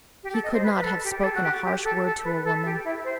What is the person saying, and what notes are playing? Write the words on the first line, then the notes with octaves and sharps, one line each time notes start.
He could not have spoken a harsh word to a woman.
G4
A4
D#5
C5
B4
B4
A4
G4
G4
A4
F#4
G4
G4
A4
A4
B4
A4
G4
E4
C5